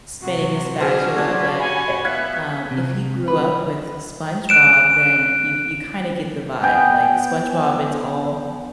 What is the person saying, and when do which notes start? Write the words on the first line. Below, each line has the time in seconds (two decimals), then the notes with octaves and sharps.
spinning the spatula, but, um, if you grew up with SpongeBob, then you you kinda get the vibe. Like, SpongeBob, it's all
0.22 C3 F#3 F#4
0.80 D4 G#4 C5 F6
1.17 F#3 F4 B4 D5 A5 G#6
1.60 G4 F#5 G#5 B5
2.05 B3 E5 F5 F#6 G#6 B6
2.71 C3
3.28 B4
4.49 F#6 D7 E7
6.62 B3 G5 G#5